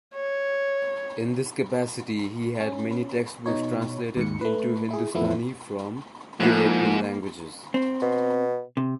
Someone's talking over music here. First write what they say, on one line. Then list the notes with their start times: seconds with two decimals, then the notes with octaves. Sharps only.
In this capacity he had many textbooks translated into Hindustani from European languages.
0.15 C#5
2.61 C#4
3.46 B2 D#4 C#5
4.17 D#2 G#2 C#7
4.41 A3 B4
4.91 E4 G#4
5.14 F2 E3 F3 A3 B3 E4
6.40 G#2 F3 A3 A#3 E4 F#5
7.74 C4
8.02 B2
8.77 C3